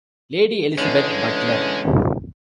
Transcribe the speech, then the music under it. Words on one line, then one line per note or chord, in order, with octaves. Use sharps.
Lady Elizabeth Butler.
D3 E3 G#3 C#4